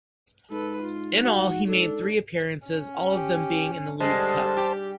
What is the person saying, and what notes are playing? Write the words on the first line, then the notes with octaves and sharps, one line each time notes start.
In all he made three appearances, all of them being in the League Cup.
G#2 A4 B4
F4
F#4 F#5
D4 A4
C#4
G4
D3 G3 G#3 C5 A5
G4